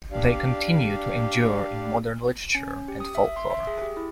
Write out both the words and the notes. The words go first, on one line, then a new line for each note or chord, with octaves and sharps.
They continue to endure in modern literature and folklore.
D4 G4 D5 F5
C#4
C#4
G4
D#6
E5
C6
E5
G#4
G4
E4